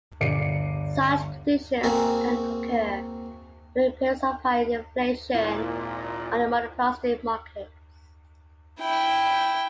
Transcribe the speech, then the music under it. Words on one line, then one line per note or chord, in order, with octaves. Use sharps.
Such conditions can occur during periods of high inflation or in monopolistic markets.
G1 G4 D5 C7 C#7 D#7
A#3 C4 E4 F#4 G#4 A#4
G#1 A#2 E4
E4 G5